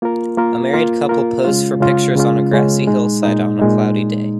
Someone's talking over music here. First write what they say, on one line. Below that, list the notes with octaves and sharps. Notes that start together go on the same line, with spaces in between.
A married couple pose for pictures on a grassy hillside on a cloudy day.
A#3 F4 A#4
A#3 F4 A#4
A#3 F4 A#4
A#3 F4 A#4
C#3 G#3 C#4 F4
C#3 G#3 C#4 F4
C#3 G#3 C#4 F4
C#3 G#3 C#4 F4
A#2 G#3 D#4
A#2 G#3 D#4
A#2 G#3 D#4